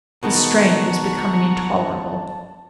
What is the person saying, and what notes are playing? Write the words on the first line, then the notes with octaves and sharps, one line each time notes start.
The strain was becoming intolerable.
B2 D#3 G#3 F#5 A5 A#5 C#6